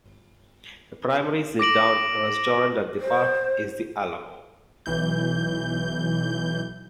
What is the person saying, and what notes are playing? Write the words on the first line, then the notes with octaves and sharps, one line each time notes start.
The primary sit-down restaurant at the park is the Alamo.
D6 A#6 D7 F#7
C5
B1 E3 G6